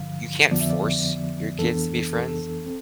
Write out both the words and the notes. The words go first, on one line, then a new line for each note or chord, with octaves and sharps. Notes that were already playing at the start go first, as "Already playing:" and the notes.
you can't force your kids to be friends,
Already playing: G2 D3 F3 F5
F2 D3 F3 B3 D5
E5
D5
F2 E3 B3 D4 A4
A4
C4